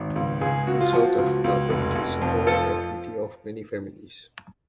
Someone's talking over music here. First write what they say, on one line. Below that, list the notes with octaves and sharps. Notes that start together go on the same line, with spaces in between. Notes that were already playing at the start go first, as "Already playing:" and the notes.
In South Africa, brunch is a favourite activity of many families.
Already playing: G#1
C#2
C#2 G#4
C#3 F#4
F4
F3 F#4
C#2
C#2
F1
F1
F2
F3 A4